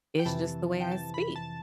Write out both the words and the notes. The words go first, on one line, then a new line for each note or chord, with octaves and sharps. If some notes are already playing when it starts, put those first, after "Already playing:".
"It's just the way I speak,"
G5
F2 C3 E3 A5
G5
A5
B5
A5